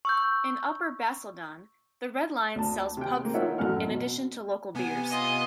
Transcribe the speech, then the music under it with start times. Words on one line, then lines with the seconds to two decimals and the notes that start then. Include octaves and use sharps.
In Upper Basildon, the Red Lion sells pub food in addition to local beers.
0.05 C#6 E6 G6
2.56 D2 A5
2.97 C3 G5
3.21 G#3 A#3
3.34 D#4 F4 A#4 C#5 E5 F#5
3.58 A1 F#2 F#3 A3 F#5 F6
3.88 B2
4.75 C3 B3 G#5
5.11 F4 D#5